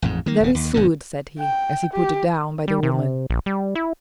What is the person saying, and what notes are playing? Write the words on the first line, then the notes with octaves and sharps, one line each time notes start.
"There is food," said he, as he put it down by the woman.
A1 F2 G#2
D#3 A#3
D#1 C#3
D#2
G#1 B2 D3
G5
G4
G3
C3
A#1
G3
E4